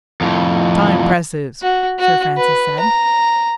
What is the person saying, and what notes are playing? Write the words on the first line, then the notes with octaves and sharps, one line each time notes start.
"Time presses," Sir Francis said.
F2 A2
F#4
F#4
B4
A#5